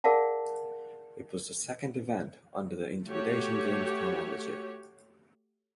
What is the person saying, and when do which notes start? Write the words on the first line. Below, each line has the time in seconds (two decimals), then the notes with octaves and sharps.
It was the second event under the Intimidation Games chronology.
0.04 G#4 A#4 D5 F5 F#5 A5
3.07 A3 F#4 G4 C#5